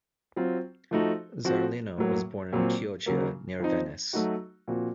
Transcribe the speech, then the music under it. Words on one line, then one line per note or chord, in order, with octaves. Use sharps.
Zarlino was born in Chioggia, near Venice.
F#3 C4 F4
F3 A3 D#4 F#4
F3 C4 F#4
A2 F#3 A#3
A#2 F#3 C4
C#3 F#3 A#3
F3 C4 D#4
F#3 A3 D#4 F#4
A#2 F3 C4 F#4